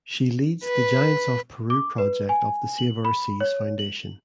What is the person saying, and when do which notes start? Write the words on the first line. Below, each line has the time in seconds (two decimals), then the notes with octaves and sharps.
She leads the "Giants of Peru" project of the Save Our Seas Foundation.
0.65 B4
1.70 D6
1.98 B4
2.29 G#5
2.78 F#7
3.05 B5
3.40 C#5
3.79 F#7